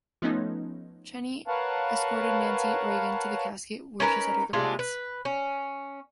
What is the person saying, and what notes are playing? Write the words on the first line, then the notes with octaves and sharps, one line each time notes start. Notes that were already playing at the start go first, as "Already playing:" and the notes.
Cheney escorted Nancy Reagan to the casket, where she said her goodbyes.
F3 A3 B3 C#4 D#4
A#4 B4 C#5 F5 F#5 A5
C#4 D#4 A#4 B4
C3 G#3 D4 F4
B4
C#4